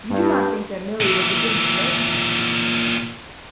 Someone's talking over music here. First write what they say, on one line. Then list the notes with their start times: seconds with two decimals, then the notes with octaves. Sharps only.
"You do not think that Milly will begin to lace?"
0.11 G2
1.01 A#2 E3